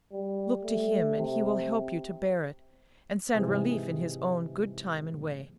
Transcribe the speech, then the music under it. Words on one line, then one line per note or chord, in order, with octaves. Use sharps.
Look to Him and he will help you to bear it, and send relief in His own good time and way.
G3
A3
C3
G#2 C3 E3 G#4